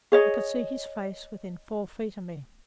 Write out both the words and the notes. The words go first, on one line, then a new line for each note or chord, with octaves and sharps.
I could see his face within four feet of me.
G#4 C#5 D#5